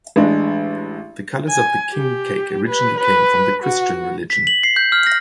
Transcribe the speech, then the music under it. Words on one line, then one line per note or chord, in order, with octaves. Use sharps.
The colors of the king cake originally came from the Christian religion.
A1 G#3 D4
G#5
G4
B4
B4
F#4
B6
F#7
C7
G6
F6
A#6